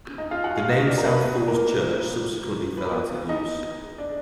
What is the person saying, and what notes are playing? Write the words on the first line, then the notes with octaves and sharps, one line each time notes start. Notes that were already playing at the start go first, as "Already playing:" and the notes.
The name South Falls Church subsequently fell out of use.
D#4 D#5
F4 F5
F#4 F#5
F4 F5
D#4 D#5
D4 D5
A#4
B3 B4
B3 B4
A#3 A#4
B4
A#4
B3 B4
D#4 D#5
D4 D5